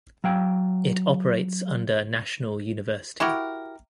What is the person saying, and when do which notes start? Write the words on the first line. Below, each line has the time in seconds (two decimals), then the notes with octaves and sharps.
It operates under National University.
0.24 F#3 F5 G5
3.20 E4 F#4 G4 A#4